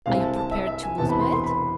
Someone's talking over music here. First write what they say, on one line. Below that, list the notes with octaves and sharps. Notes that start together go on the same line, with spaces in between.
"Are you prepared to lose by it?"
C2 C3 G#3 C4 F5
A5
A5
E5
E5
G#5
E1 E2 C3 E3 B3 A5
B5
C6
C6
B5